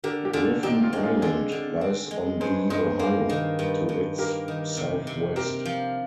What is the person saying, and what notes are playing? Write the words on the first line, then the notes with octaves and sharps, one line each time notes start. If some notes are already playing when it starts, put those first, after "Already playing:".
Griffen Island lies on the Ohio to its southwest.
D3 G4 A#4
G4
D3 F4 G#4
C4 D#4 G4
F4
G#3
F4 G#4
D3 F4 G#4
D3
C4
G#3
G2 G#4 C5
G2 C5 D#5
A#3 G#4 C5
D#3
G2
G2
A#3 G4 A#4
D#3
C3
C3
C4 G4 A#4
F3